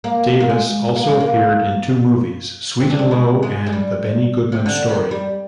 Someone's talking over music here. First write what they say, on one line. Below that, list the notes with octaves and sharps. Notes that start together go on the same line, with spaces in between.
Davis also appeared in two movies, "Sweet and Low" and "The Benny Goodman Story".
A#3
A#3
G#3
A#3
G#3
A#3
C4
D4
C4
G#3
G#3
G#3
G3
C3
D3
D#3
G3